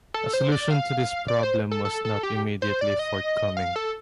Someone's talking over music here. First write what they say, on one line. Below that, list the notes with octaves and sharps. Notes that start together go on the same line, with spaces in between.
A solution to this problem was not immediately forthcoming.
A4
C5
D5
F5
D5
C5
A4
A4
A4
G4
C5
D5
D#5
F5
A4